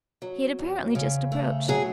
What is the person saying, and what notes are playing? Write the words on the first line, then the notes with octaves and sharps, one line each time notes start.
He had apparently just approached.
F#3
E2
C#3
A3
F#3 G#4